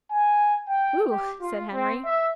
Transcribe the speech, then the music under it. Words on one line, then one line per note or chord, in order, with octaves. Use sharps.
"Whew!" said Henry.
G#5
G5
G4
F4
C4
E5